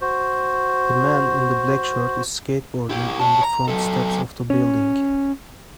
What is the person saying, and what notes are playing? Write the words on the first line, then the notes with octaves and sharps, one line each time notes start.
The man in the black shirt is skateboarding on the front steps of the building.
F#4 C5
E4 G4
C#5 A5
A#5
F#3 A4
C#4